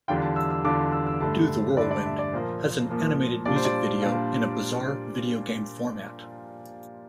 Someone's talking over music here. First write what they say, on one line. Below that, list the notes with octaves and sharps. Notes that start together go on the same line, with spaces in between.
"Do the Whirlwind" has an animated music video in a bizarre video game format.
E2 D3 G3 D4 F4 G5
A5
E6
E6
E2 D3 G3 D4 F4 D6
E6
E6
G2 D3 A3 A5
G2 D3 A3 D5
D5
E5
D5
A#2 F3 A#3 C5
A#2 F3 A#3
A#2 G3 D4 F4 D5
C5
D5
A#2 G3 D4 F4